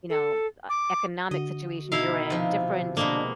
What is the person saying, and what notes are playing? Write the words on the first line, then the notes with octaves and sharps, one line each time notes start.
you know, m e economic situations you're in, y ge different
A4
D6
D3 F#4 D#5
B2 D#4 E4 F5
C3 F3
B2 G#3 A#3 D4